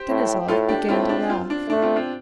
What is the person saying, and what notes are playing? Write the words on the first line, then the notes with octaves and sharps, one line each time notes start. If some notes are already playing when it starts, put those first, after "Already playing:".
Denisov began to laugh.
Already playing: G4 C5
A2
A2 F4 A4
D4 G4
A2 C4 F4
D4
C4 F4
D4
A3 D4
C4 F4
C4 F4